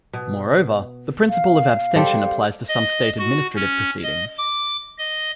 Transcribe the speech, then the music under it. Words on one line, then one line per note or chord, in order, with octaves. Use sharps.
Moreover, the principle of abstention applies to some state administrative proceedings.
B2
F5
G3 C4 A4
D#5
F#4
C#4
D#5
D6
D#5